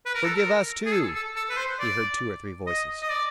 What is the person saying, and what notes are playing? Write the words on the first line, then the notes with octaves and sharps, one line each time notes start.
"Forgive us too!" he heard two or three voices.
B4
A#4
A4
A#4
G#4
A4
A4
A4
B4
C5
D5
D#5
D#5
D5